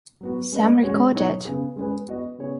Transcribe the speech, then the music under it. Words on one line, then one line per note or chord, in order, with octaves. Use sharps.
Some record it.
F#3 B3 F#4
G#3 C#4 B4 D#5
G#3 C#4 F#4 C#5
B2 F#3 D#4 F#4 C#5
C#3 B3 G#4
G#3 C#4 G#4 B4
B3 F#4 D#5
C#3 B3 G#4 C#5